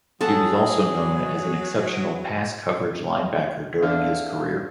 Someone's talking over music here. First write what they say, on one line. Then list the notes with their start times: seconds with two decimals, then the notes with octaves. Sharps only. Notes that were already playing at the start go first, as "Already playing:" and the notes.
He was also known as an exceptional pass-coverage linebacker during his career.
0.21 F#3 G#4 A4 F#5 A5
3.82 D3 D4 E5 F5 F6